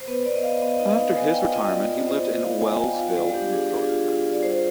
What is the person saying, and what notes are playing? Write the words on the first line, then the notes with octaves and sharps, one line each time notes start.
After his retirement he lived in Wellsville, New York.
C5
B3 B4
B3 D5
D#5
B3 F5
B3 D#5
D#4 D#5
D#4 F5
D#4 G#5
D#4 G5
F4 D#5
B3 D5
F4 D5
F4 C5
B3 D#5
B3 F5
B3 G#5
B3 G5
F4 F5
G3 D5
D4 G4
D4 G#4
G3
F4
G3
F4
D5
F4 C5